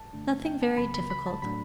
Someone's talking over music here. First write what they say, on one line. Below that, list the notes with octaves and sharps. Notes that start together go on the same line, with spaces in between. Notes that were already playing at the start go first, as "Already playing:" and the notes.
"Nothing very difficult."
Already playing: A5
G2 D3 A3 D4
G5
A5
C#2 C#3 F#3 B5
B5
B5
A5
A2 F#3 A3 D4 B5